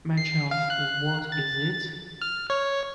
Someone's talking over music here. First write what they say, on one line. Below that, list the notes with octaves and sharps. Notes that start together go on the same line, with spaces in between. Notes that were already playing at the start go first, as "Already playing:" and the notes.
My child, what is it?
C7
F5
F#6
A6
F6
C#5